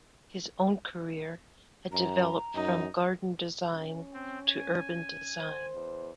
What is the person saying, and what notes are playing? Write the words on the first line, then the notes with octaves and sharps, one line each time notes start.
His own career had developed from garden design to urban design.
F#2 A#5
F#2 D#4
C#4
C4
G#5
C5
E2